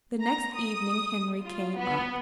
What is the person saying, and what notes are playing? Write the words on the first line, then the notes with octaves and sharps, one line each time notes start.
The next evening Henry came up.
A#5
D#6
F4
B3